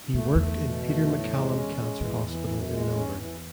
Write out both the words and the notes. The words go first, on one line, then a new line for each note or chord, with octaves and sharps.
He worked in Peter Maccallum Cancer Hospital in Melbourne.
E2 A3
E2 A3
B2
A3
A2
G#3
C#4
G#3
E2 E3
E3
F#2
G#3
C#4
E3